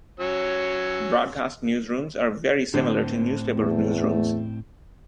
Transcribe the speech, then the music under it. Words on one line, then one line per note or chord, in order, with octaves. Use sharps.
Broadcast newsrooms are very similar to newspaper newsrooms.
F#3 C#4 E6
A2 D3 C4
E2 A3